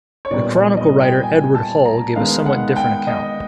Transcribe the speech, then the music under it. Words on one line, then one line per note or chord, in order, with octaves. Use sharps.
The chronicle writer Edward Hall gave a somewhat different account.
C#5
A#2 G3 B3 D#4 D5
D#5
D#5
G5
G#5
A5
A#5
D#3 G#3 B3 D#4 F5
F#5
G5
D#5